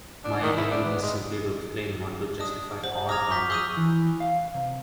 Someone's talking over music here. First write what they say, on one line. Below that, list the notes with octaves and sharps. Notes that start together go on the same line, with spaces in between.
My aim is simply to explain, not to justify or condemn.
D4
D#3
E4
D4
B3
G#3
D4 D#5 D#6
C5 F#5
A#5 D6 D#6 F6 G#6 F7
C#6 G6 B6
G#4 F5 C#6 D#6 E6 G6 D#7
E3
F5
C3